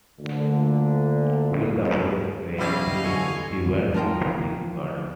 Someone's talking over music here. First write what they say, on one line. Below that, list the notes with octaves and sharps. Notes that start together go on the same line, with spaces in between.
While the boys were reading, she went into the garden.
D2 A#2 D3
B2 F#3 G3 C#4 E4 D#5 F5
E2 D3 G#5 C#6 E6 F7
F3 D#4 F4 A#4 G5